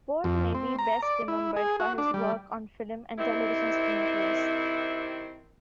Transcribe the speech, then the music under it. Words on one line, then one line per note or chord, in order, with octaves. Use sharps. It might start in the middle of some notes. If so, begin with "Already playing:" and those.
Bolt may be best remembered for his work on film and television screenplays.
F2
C4
A#5
D5
E4
G#4
F#4
D4
G3
C3 D#3 C4 E4